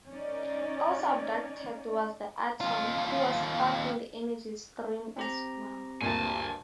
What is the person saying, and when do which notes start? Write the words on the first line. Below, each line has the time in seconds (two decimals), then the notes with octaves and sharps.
Also abducted was The Atom, who was caught in the energy stream as well.
0.11 C#4 D#4 D5
2.61 D#2 F4
5.17 C4 G4 A#5
6.02 D2 G2 A#2 G#5 A5